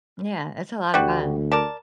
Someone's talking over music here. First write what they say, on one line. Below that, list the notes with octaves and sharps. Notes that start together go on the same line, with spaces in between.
Yeah, it's a lot of fun.
D2 G3 F#4
A#4 D5 A5